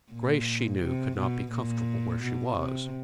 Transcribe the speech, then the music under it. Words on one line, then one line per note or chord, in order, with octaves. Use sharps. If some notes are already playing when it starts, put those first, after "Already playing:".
Grace, she knew, could not be comfortable where she was.
A#2
C3
B2
A#2
B2
C3